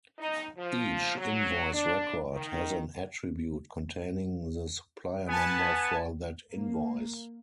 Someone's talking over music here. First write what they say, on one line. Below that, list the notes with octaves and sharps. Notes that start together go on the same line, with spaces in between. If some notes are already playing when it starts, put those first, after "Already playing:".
Each invoice record has an attribute containing the supplier number for that invoice.
D#4
F3
F#3
D4
D#3
B3 G#5 A5
A#3